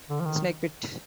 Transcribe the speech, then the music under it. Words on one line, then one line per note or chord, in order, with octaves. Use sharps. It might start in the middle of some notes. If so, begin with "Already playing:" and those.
"The Snake Pit".
D3
F3
D#3